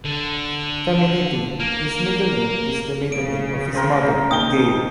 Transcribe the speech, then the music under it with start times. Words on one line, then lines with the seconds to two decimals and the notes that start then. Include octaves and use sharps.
"Caminiti", his middle name, is the maiden name of his mother, Gail.
0.05 D3
1.60 A#3
3.12 C#3 D7
3.75 C4 A#4
4.31 D#2 G5 D#6 G7